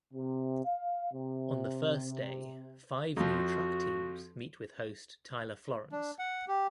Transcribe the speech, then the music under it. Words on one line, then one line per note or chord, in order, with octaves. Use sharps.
On the first day five new truck teams meet with host Tyler Florence.
C3
F5
C3
F2 F3 F#4
D4
F#5
G4